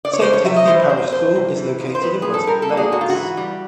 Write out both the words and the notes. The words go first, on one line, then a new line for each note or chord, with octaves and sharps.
Saint Timothy Parish School is located in Westwood Lakes.
D5
C#5
F2 C5
C#5
C3 E5
D#5
E3 C5
F2 C5
F2 C5
C3
E3
F2
C5
G#2 B4
E3 G#4
A4
G3 A#4
A4
A#3
G#4
G#2 F#4
F4
E3 F#4
G3